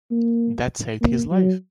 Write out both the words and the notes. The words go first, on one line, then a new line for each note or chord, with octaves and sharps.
That saved his life.
A#3
A#3
F#3